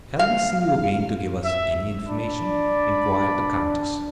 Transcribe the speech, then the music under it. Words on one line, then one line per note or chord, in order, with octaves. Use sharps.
"Shall we see you again to give us any information?" inquired the countess.
F5
E5
D4 D5 B5